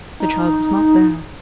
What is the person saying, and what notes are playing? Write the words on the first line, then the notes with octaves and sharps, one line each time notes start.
The child was not there.
D#4